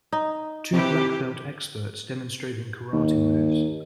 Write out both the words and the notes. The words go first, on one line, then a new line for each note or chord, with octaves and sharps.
Two black belt experts demonstrating karate moves.
D#4
C3 E3 G4
D#2